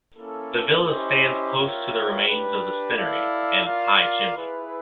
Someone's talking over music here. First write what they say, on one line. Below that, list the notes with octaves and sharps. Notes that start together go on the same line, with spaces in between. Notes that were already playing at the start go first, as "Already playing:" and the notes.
The villa stands close to the remains of the spinnery and its high chimney.
A#3 C#4 E4 A4
C#4 E4 G4 C5 D#5
F4 A#4 C#5 E5 G5
D4 G4 B4
E4 A4 D5 F5
F4 A#4 D5 F5
E4 G#4 B4 E5